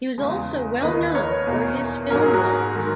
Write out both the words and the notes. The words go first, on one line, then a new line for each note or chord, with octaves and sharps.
He was also well known for his film roles.
E2 C#3 G#3
D#2 D#3 A#3 B4 D#5
A#4 C#5
E2 B2 A#3
G#2 F#3 A#3 A#4
G#4
F#4 A#4
D#3 G#3